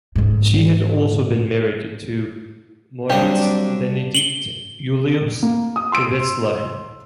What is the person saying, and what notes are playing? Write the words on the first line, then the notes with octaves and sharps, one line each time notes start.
She had also been married to Moritz Benedikt Julius Wetzlar.
G#2 D3
F#3 G3 A#3 C4 D4 G4 D#6
F#7 G7
A#3
D#6
C6 E6 D7